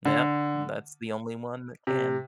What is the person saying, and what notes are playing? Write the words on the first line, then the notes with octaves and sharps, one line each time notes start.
Yep, that's the only one that can.
D3
C3